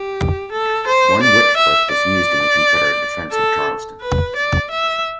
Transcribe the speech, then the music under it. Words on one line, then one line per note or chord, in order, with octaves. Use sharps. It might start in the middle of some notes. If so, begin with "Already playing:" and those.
One Whitworth was used in the Confederate defense of Charleston.
Already playing: G4
A4
C5
D5
E5
D5
A4
B4
D5
E5